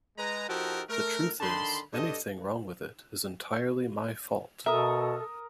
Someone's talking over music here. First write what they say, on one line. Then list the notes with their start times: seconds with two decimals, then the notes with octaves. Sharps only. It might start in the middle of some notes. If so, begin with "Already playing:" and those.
The truth is, anything wrong with it is entirely my fault.
0.18 G#3 B4 A#5
0.48 F3 D#4 F#4 G4 A4 A#4
0.89 A3 A#4
1.40 D3 D#3 A5 B5 C6
1.93 G2 D4 A4 D#5
4.66 B2 A4 A#4 E5 D#6